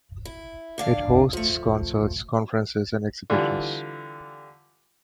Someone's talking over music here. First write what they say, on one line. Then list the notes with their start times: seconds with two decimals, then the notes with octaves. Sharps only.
It hosts concerts, conferences and exhibitions.
0.25 E4
0.78 D3 D4 F5
1.33 F3 A3
3.30 D3 E3 G3 F4